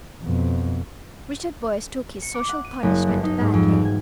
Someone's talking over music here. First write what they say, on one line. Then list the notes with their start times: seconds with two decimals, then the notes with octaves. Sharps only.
Richard Boyce took his social punishment badly.
0.23 F2 B2
2.22 C#7
2.34 D6
2.49 F#5
2.65 D#7
2.83 F#1
3.07 G1
3.24 D#4
3.40 G#2
3.54 F2
3.69 E1
3.85 G#6